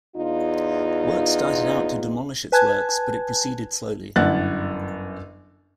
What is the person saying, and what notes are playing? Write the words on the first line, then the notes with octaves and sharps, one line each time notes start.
Work started out to demolish its works but it proceeded slowly.
E2 D#4 F4
B4 G#5 A5 F#6 G#6
G1 F#2 E4 F#5 F#6 A6